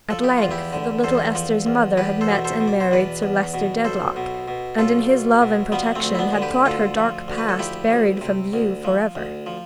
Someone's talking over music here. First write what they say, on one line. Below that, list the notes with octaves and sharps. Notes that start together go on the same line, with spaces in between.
At length the little Esther's mother had met and married Sir Leicester Dedlock, and in his love and protection had thought her dark past buried from view for ever.
F3 A4
G4
E2 F4
E4 G4
D3
E2 A4 C5
F3
E2
E2 G4 B4
A4 C5
B2
A4 C5
B2
D5
C5
E2 B4 D5
E2
B2
B1 A4 C5
B2
B2
B1 F4 A4
B1
B2
F3 G3 B3
A3 C4
D2
E4
B3 D4
D3
G4 B4
D2 F4 A4
F3
D2
B4
A4
F3 E4 G4
D2
C3
D2
F3
D2
F3